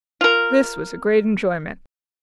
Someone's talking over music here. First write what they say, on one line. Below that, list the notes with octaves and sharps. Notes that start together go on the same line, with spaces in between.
This was a great enjoyment.
F4 A#4